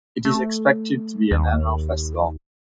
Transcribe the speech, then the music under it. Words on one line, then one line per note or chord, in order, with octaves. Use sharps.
It is expected to be an annual festival.
A3
D#2